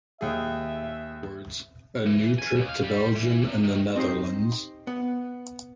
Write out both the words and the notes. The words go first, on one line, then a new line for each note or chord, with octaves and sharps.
Afterwards, a new trip to Belgium and the Netherlands.
D#2 G#4 E5
E3
G#5
C#2
F5
G3
E3
C3
D#3
C4 D#4 G4 C5
B3